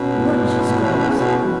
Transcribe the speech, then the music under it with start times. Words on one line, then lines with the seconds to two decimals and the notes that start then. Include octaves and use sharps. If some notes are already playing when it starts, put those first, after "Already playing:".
Lunch scores.
Already playing: B2 C#4
0.16 A2
0.42 A2
0.68 A2
0.93 C#4
1.09 C#3
1.18 B2 F#4
1.45 F#3